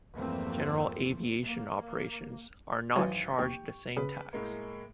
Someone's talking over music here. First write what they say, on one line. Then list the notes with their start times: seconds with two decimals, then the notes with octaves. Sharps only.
General aviation operations are not charged the same tax.
0.14 E2 G2 F3 A3 A#3 C4
1.44 A#3
2.96 G#1 E3 F#3
3.39 D#2 G4 C#6
3.97 C#3 B4
4.33 A2 G#3 A#3